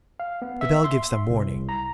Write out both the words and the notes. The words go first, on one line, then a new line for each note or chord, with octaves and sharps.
The bell gives them warning.
F5
B3
E5
C6
C2
A#5